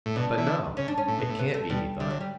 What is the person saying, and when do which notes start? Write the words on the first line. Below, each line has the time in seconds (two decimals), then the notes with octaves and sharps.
"But no, it can't be!" he thought.
0.06 A2
0.16 B2 D4
0.38 E3
0.46 D3
0.77 C#3 C#4
0.88 D4
0.98 C#4
1.08 A2
1.19 B2
1.29 A2
1.39 B3
1.54 A3
1.70 B2 G3
2.00 D3 G3
2.10 F#3
2.21 G3